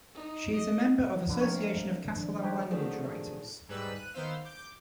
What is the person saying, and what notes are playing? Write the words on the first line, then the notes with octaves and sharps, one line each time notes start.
She is a member of Association of Catalan-Language Writers.
D#4
D#5
D3 F3 D4 B4
F2 F3 A3 A#4 C#5
D#3 F3 D4
F#3 G#3 D#4 G4 C5 G5
D#3 F3 F#3 A3 D4 G#4
G#2 G3 B4 E6
F#6 D#7
D#3 B3 C5 F5 E6
D6 G6